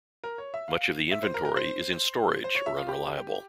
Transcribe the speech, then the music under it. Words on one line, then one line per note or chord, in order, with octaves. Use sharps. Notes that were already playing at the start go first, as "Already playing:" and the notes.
Much of the inventory is in storage or unreliable.
A#4
C#5
E5
F5
E5
C5
A#4
A#4
C5
C5
C#5
E5
F4
G4